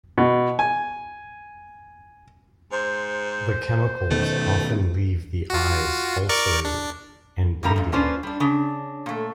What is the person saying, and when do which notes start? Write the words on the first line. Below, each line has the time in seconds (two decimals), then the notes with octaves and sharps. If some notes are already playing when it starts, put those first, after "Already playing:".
The chemicals often leave the eyes ulcerated and bleeding.
0.18 B2
0.59 G#5
2.72 G#2 C5
4.11 B2 D#3 A3
5.50 F4 F#4
6.29 A#4 D5 C#6
6.65 D4
7.63 F#2 A#2 G3 A#4 A#5
7.76 F#2 A#2
7.92 A#3 C#4 D4 F4 B4 C5
8.23 G3 D4
8.40 C#3 D4
9.06 A#2 A3